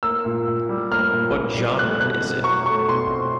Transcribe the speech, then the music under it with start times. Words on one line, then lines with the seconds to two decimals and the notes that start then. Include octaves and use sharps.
What genre is it?
0.03 A#3 E6
0.25 A#2
0.47 A#2
0.69 G3
0.91 A#3 F6
1.13 A#2
1.35 A#2
1.57 G3
1.78 A3 F#6
2.01 B2 F#6
2.22 C4
2.44 F#3 C#6
2.66 A3 C#6
2.88 B2 C6
3.10 C4